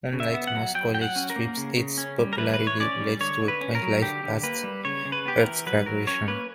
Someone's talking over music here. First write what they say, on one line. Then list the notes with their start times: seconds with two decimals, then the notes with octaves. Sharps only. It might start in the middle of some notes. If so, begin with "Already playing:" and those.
Unlike most college strips, its popularity led to a print life past Hurt's graduation.
0.13 C#3
0.20 E5
0.34 B3
0.47 F#5
0.55 F#3
0.75 F#3 G5
0.95 F#3 G5
1.02 F#5
1.16 C#4
1.30 A#4
1.36 A#3
1.57 C#3
1.77 C#3
1.98 C#4
2.19 G3
2.33 A#4
2.38 E3 B4
2.54 E3 B4
2.67 C#5
2.80 C#4 D5
3.00 G3
3.21 D3 C#5
3.41 D3
3.48 B4
3.61 C#4
3.75 A#4
3.82 F#3
4.02 D3 G4
4.24 D3
4.43 A#3 B4
4.63 G3
4.85 C#3 C#5
5.05 C#3
5.12 B4
5.26 B3 G4
5.39 A#4
5.45 E3
5.66 F#3 B4
5.86 F#3 A#4
6.07 C#4 C#5
6.28 A#3 B4